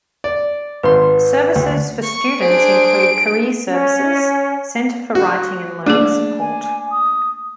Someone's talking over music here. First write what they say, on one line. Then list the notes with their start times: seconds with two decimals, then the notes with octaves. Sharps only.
Services for students include Career Services, Center for Writing and Learning Support.
0.24 D5
0.83 G#1 B4 C6
1.56 D2
2.03 C#6
2.41 D4 G#4 C5 D7
3.67 C#4
5.15 F#4
5.86 A3 A#3 D4 G#4
6.39 G#5
6.92 D#6